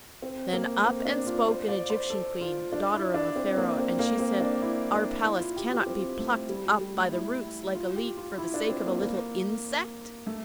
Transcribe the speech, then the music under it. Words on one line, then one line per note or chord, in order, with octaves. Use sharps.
Then up and spoke an Egyptian Queen--the daughter of a Pharoah--and she said, 'Our Palace cannot be plucked up by the roots like a leek for the sake of a little insect.
C4
A#3
C4
D4
F4
C5
D5
C5
A4
F4
D4
E4
D4
C4
A#3
C4
A#3
C4
D4
E4
D4
E4
F4
G4
G4
C4
A3
G3
G3
G3
A3
E4
F4
G4
F4
E4
D4
C4
A#3
A#3
A3